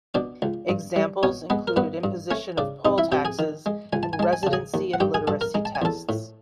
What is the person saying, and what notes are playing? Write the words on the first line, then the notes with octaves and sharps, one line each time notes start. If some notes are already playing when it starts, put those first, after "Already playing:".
Examples included imposition of poll taxes and residency and literacy tests.
B2 D4 D5
C#2
G2
G3
B2 C#4 C#5
G#3 B3 B4
A#4
G2 B3 B4
G2
A3 C#4 C#5
C#3 D4 D5
C3 D#4 D#5
E4 E5
C3 G4 G5
G#4 G#5
D#3
G#3
C#2 G#5
A5
G#5
G#3 A5
G#5
C#3 A5
G#4 G#5
D#2
F#5
G2 G4 G5
G#4 G#5
G2 A4 A5
A#4 A#5
G#3 A#5
A5
G#5
E2 A4 A5
A2